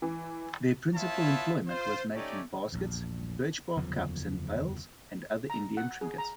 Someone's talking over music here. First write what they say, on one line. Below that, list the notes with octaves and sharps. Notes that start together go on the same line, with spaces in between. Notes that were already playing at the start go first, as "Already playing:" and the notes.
Their principal employment was making baskets, birch-bark cups and pails, and other Indian trinkets.
E3
B3 E4 F4 C#5 E5 A5
F4 C5
A3 C#4 D#4 G4 C#5 D5
A#1 E2
F#1 E2 D3 F3
A#5
F#5
G#4
A#5